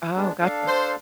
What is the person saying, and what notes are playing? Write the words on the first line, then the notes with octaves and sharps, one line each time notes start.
Oh, gotcha.
G#3 B3 D4
D4 A4 F5
C5